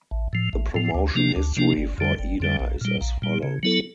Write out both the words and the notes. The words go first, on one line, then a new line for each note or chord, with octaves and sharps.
The promotion history for Ida is as follows.
A1
A2 F3
A1
A2 F3
D2
C3 F3 A#3 D4
D2
C3 F3 A#3 D4
G1
F2 D3 G3
G1
F2 D3 G3
A#1
A#2 G3
A#1
A#2 G3
C#3
F#3 B3 E4 A4